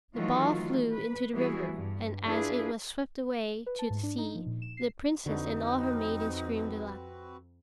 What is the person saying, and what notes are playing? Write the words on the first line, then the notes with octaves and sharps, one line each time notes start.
The ball flew into the river, and, as it was swept away to the sea, the Princess and all her maidens screamed aloud.
D#3 E3 F#3 A3 F4 F#4
B4
E3 G3 B3 E4 F#4 G#4
G2
D4 E4 F4 G#4 B4
B4
A5
G#2
D4
D#4
F3
A#2
E7
C7
F2 D3 C4 D#4 F#4 B4